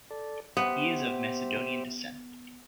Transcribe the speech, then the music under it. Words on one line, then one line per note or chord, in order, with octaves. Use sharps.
He is of Macedonian descent.
A4 D5
B3 G4 C5 E5